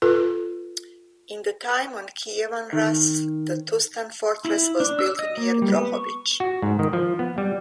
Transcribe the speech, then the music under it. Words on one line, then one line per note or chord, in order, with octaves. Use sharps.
In the time of Kievan Rus', the Tustan fortress was built near Drohobych.
F4 A4 B4
D#3
E4
D4
E6
D#5
A#3
G3
B3
C#6
F#4
G#2
D#3
F3
B3
G3